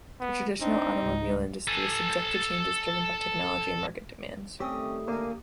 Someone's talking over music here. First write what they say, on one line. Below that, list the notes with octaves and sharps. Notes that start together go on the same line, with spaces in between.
The traditional automobile industry is subject to changes driven by technology and market demands.
B3
C4 D4 D#4
C#2 G#2
A4 G#5
D#3 G3 A3 C4 C#4 G4 D#6
D3 A#3 G#5